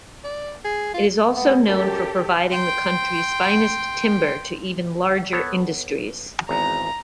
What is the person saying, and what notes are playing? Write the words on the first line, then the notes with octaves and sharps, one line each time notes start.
It is also known for providing the country's finest timber to even larger industries.
D5
G#4
F4
G#3 A#3 B3
F#2 G4 A4
G5 C6
B3 A4 C#5
G#1 E2 A#5